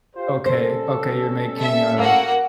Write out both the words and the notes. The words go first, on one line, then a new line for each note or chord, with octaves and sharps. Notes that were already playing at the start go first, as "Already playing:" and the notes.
okay, okay, you're making a
F4 G4 C5
G3 C#4 A4 C5
E5
A#3 F#4 F5 F#5